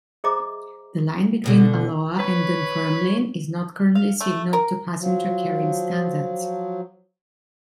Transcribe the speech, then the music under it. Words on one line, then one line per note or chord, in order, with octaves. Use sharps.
The line between Alloa and Dunfermline is not currently signalled to passenger carrying standards.
G#4 C5 D#5 E5 A#5 D6
F2 B2 D3
B4 C#5
F5
A3
A#4
F3 F#3